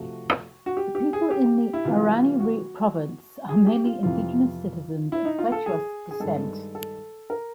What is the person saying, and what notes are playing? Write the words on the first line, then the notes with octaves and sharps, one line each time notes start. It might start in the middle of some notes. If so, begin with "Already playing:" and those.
The people in the Arani Province are mainly indigenous citizens of Quechua descent.
Already playing: C3 F3 A3 F#4
F#4
G4
G4
G#4
G4
E4
C3 E3 G3 F4
F#4
G#4
G4
F4
F2 C3 E3 F4
E4
D#4
F4
A4
G#4
G#4
G2 D#3 G#3 A4
A4
A#4